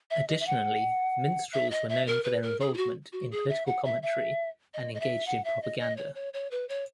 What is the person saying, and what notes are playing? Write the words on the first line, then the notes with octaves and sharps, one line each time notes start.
Additionally, minstrels were known for their involvement in political commentary and engaged in propaganda.
E5
D#5
E5
F#5
E5
D#5
E5
A#4
B4
A#4
G#4
E4
F#4
F#4
G#4
E5
F#5
E5
E5
D#5
D#5
E5
F#5
E5
D#5
D#5
C#5
C#5
C#5
B4
C#5